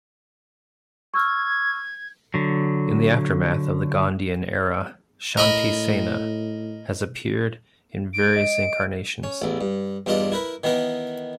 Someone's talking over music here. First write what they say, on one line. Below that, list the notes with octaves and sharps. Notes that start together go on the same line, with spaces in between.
In the aftermath of the Gandhian era, Shanti Sena has appeared in various incarnations.
C#6 E6 F6 G#6
D3 F#3
A2 A#4 D#5 B5
D7
D#5
C#4
A1 E2
G2
E2 G2 D4 F4 D#5
E4 A#4 B4
D#3 E3 B3 A#4 B4